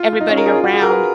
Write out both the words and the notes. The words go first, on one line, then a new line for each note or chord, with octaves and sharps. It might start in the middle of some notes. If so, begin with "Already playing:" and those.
everybody around,
Already playing: F4
F4
D#4
C#4
A#4
G#4
F4
F#4
G#4
A#4
B4